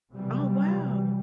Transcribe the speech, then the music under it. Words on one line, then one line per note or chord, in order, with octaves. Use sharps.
Oh, wow.
C3 E3 F#3 G3